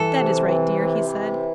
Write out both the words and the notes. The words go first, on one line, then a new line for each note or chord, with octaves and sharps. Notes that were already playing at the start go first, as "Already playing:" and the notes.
"That is right, dear," he said.
Already playing: E3 A4
C3
E3
C3
E3